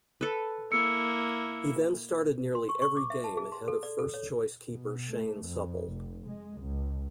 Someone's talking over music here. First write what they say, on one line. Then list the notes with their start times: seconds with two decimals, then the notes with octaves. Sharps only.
He then started nearly every game ahead of first choice keeper Shane Supple.
0.21 A4 B4
0.72 A#3 E4 E6 C#7
2.55 C6
2.69 C#6
2.82 C#6
2.97 D6
3.10 E5
3.24 A5
3.37 G#4
3.52 C6
3.68 A4
3.83 D5
3.99 A4
4.14 C#5
4.72 B2
5.11 A3
5.43 F2
5.87 F1
6.28 G#3
6.62 C#2